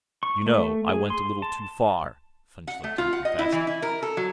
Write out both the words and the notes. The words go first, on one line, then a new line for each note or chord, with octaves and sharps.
"You know, I went a little too far," von Schlichten confessed.
C#6
A3
G#4
C6
A5
F#5
A3
F4
F#5
D#5
E4
E3
E4
A#4
A4
F#3